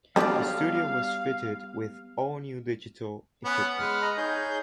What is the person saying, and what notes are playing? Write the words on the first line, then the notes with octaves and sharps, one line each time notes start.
The studio was fitted with all-new digital equipment.
F#3 G3 B3 D4 F4 D5 F5
B3 C#4 F#5
G#3 B4 F6
D#5 A#5
D#4 G#4 C#5 G6